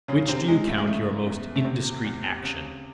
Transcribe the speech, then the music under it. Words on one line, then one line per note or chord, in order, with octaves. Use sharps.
"Which do you count your most indiscreet action?"
F#2 C#3 C#4
C3 C4
F#2 G#3
A3
G#3
C#3 A3
E2
A3
E2 C3 C4
E2
C#3